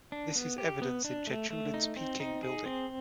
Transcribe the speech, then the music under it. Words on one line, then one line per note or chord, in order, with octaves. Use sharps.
This is evident in Chechulin's "Peking" building.
D4
B3
G4
B3
D4
A3
A3
D#4
C4
D#4
G#4
C4